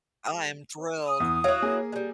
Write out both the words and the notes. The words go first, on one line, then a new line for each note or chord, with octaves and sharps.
I am thrilled.
D#6
E2
F#3 E4 C#5 F5
A#3 G#4
G3 G#3